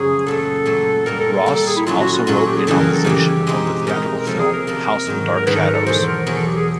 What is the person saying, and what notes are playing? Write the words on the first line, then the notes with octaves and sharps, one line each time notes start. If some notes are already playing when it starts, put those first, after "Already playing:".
Ross also wrote a novelization of the theatrical film "House of Dark Shadows".
Already playing: F#2 C#3 F3 A#3 C#4 G#4
A#2 F#3 A3 A4
A#2 F#3 A3
A#2 G3 A#3 A#4
A4
A4
A#2 G3 A#3
A4
G#4
E4
A#2 F#3 A3 C#4 F4
F#4
F4
A#2 F#3 A3 C#4 F4
F#4
G4
G#4
F#2 C#3 E3 G3 A4
A#4
A4
F#2 C#3 E3 G3 G4
B2 G#3 C4 D#4
B2 G#3 C4 D#4 A#4
A#4
C3 F3 A#3 A4
G#4
A#4
C3 F3 A#3
G#2 D#3 F#3
A#4
G#2 D#3 F#3 B4
A4
A#4
A4
E2 B2 F#3 C5
A#4
E2 B2 F#3 A#4
A4
G4
G#4